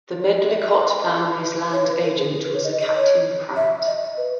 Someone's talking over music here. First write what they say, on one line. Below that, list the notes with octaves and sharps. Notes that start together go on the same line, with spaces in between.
The Medlycott family's land agent was a Captain Pratt.
C#5
D#5
E5
E5
D#5
C#5
B4
A#4
G#4
G#4
B4
C#5
D#5
D#5
C#5
E5
D#5
D#5
B4